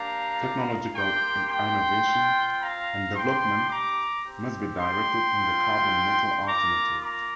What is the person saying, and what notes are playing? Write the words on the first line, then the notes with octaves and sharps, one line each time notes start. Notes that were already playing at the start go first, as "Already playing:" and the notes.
Technological innovations and development must be directed in the carbon neutral alternatives.
Already playing: A#3 D4 G4 F5 A#5
A#3 G4 G5 C6
G5 C6
C4 F4
F5 A#5
G3 D4 G4 G5 C6
A#5 D6
C4 G4
G5 C6
C4 F4
A#3 F4 A#5 D6
A#5 D6